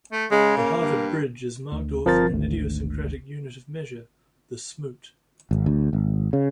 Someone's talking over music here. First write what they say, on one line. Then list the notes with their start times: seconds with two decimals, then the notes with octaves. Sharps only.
The Harvard Bridge is marked off in an idiosyncratic unit of measure, the "smoot".
0.12 A3
0.31 C#3 G#3
0.57 A#3
0.80 G2
1.72 D2
2.05 G1 F3 C4 A#4 C5 A6
2.30 G#1 D2
5.51 G#1
5.66 D2
5.93 G#1
6.33 C#3